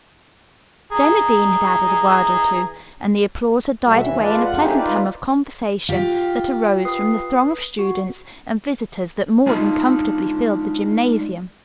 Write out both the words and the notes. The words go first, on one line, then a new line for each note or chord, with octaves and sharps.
Then the dean had added a word or two, and the applause had died away in a pleasant hum of conversation that arose from the throng of students and visitors that more than comfortably filled the gymnasium.
E3 G#4 A#5
B2 G3 A3 F#4
D#2 E3 E5
G#3 F4 B4 D5 A5
F2 F4 F#5
A3 C4 D4 D#4 G4 G#4
D#4 F4 B4 D5
F4 G4
B4 D#6 C7
F#4
G#3 D4 D#4 F4 F5